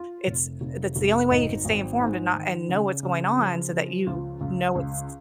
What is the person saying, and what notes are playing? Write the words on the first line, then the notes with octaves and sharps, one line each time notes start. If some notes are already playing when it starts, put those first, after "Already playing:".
it's uh, that's the only way you can stay informed and not and know what's going on so that you know what's
Already playing: F4
F1
F1
F1
G#1 D#4
G#1
G#2
D#3
C#3
C#3
F3
F3
C#2 F4
C#2
C#2